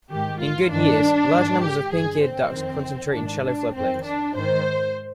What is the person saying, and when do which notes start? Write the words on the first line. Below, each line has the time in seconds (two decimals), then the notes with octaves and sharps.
In good years, large numbers of pink-eared ducks concentrate in shallow flood plains.
0.10 G#2 D#3 G4
0.40 F4
0.71 G2 D#3 D4
1.32 G#2 D#3
1.63 G4
1.92 G2 D3 G#4
2.23 C4
2.53 F2 D#3
3.14 G#2 D#3 D4
3.44 D4
3.74 F2 D#3 C4
4.05 D4
4.36 G#2 D#3 C5